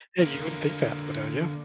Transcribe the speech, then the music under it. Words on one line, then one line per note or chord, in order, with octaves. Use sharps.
Yeah, you wouldn't think that, but, uh, yeah.
D3 A#3